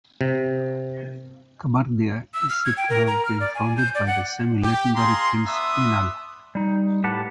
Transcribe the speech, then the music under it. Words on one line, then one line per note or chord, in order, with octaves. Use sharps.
Kabardia is said to have been founded by the semi-legendary Prince Inal.
C3
E6
F6
G#6
G5
A#4
A#5
F6
D5
G#5
G6
D5
F#5
G4
F4 G#4 A#5 C6
B3 D4 E5 C6 D#6
G3 D#4
A2 G4 B4 F#5 A5